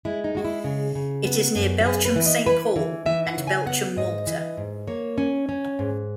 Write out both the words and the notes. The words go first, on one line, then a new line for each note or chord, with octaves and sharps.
It is near Belchamp Saint Paul and Belchamp Walter.
G#3 E4
D#4
G#3 F#4
E4
C#3
C#3
B3
F#2
F#4
B3 G#4
B4
E3
D#5
E3 B4
E3
E3 E5
F#5
C#3
G#5
B3 F#5
G#2 D#5
E3
G#2
A#3 C#5
C#4
C#4
G#2